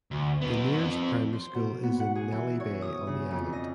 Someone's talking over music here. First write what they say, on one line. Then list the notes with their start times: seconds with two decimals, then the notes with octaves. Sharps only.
The nearest primary school is in Nelly Bay on the island.
0.11 D2
0.41 B3 D#4
0.78 F3 C4
1.33 C5
1.54 B2
1.83 B3
2.00 F#5
2.15 G#4
2.32 E3
2.60 C#5
2.82 D#6
3.07 C#3
3.31 F2
3.53 D#5